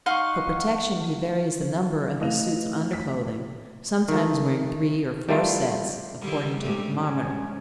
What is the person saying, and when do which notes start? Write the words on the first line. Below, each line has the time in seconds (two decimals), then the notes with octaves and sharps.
For protection he varies the number of his suits of underclothing, sometimes wearing three or four sets, according to the thermometer.
0.06 D#4 F5 F#5 C6 C#6
2.20 E3 A3 D#5 F5 F7
2.93 B6
4.08 D#3 A3
5.29 G3 A3 E4 F4
6.21 D3 D#3 G3
6.60 G#2 G3 A3 G4
6.91 G#2 C#4